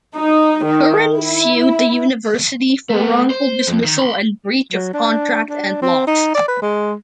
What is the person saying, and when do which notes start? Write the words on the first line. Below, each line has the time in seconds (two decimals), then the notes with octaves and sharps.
Curran sued the University for wrongful dismissal and breach of contract and lost.
0.16 D#4
0.62 D#3
1.15 E4
2.90 A3 B3
3.30 C5
3.67 F2
3.84 D#3
3.99 B5 C6
4.73 F#3
4.94 D4
5.50 D4
5.82 C4
6.07 D#4
6.35 D5
6.48 B4
6.62 G#3